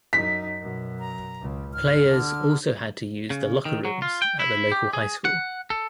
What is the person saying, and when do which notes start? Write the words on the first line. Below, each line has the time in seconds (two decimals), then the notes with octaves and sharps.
Players also had to use the locker rooms at the local high school.
0.13 F#2 D#4 B6
0.59 F#2 B2
0.99 A#5
1.41 C#2 C#3
1.74 G#2 F6
2.08 D3
3.30 C#3
3.65 D#3
3.85 F#3
4.02 F4
4.22 G5
4.39 E4
4.72 G4
4.93 G#4
5.25 F#5
5.70 A4